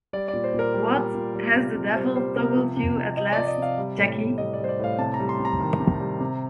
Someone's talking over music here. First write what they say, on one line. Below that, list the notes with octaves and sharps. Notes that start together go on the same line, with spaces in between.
What, has the devil toggled you at last, Jacky?
G3 D5
D5
A#2
C5
A#2 A#4
G3
G3
A#2
G3
C3
C3
G3 C5
G3 C5
C3 A#4
F3
C3
C3
F3 D#5
F3 D5
D#5
C3 F5
G3
A2
A2
G3 D#5
D5
G3
C5
D5
A2 F5
C3 A5
A#5
G3
C6
C3
A#5
D#3
C3
G3
C3